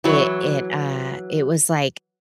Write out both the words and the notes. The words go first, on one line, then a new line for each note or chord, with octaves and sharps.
it it, uh, it was like
E3 F#3